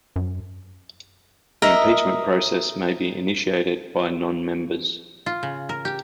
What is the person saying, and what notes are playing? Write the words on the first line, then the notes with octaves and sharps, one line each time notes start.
The impeachment process may be initiated by non-members.
F#2
A#4 D#5 E5
F4
C#3
A#4
G4